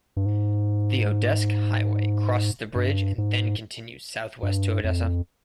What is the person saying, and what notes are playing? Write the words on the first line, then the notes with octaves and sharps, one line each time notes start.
The Odeske Highway crosses the bridge and then continues south-west to Odessa.
G2
G#2
G2
G#2
G2
F2